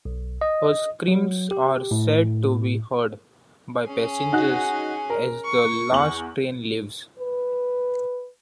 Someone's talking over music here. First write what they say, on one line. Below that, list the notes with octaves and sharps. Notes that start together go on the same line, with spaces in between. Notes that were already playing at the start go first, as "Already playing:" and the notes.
Her screams are said to be heard, by passengers, as the last train leaves.
B1
D#5
F#3
G4
A2
C#4 G#4
D#4 F#4 F#6
A#4
C#6
E2 F#7
B4